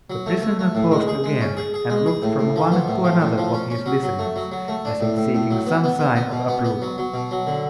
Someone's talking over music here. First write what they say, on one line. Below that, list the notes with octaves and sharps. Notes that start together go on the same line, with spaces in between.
The prisoner paused again and looked from one to another of his listeners, as if seeking some sign of approval.
F#3
A3
A3
A3
A2
G#3
G#4
G#3
C#4
G#4
G#4
G#3
G#4
A2
A2
F3
B3
A2
F3
A2
F3
C#4
C#4
F#3
F#3
A3
F#3
F#3
A3
D4
A2
A2
A2
F#3
B3
B3
B3
B3
B2
B3
B3
F#3
F#3
B2
F#3
D3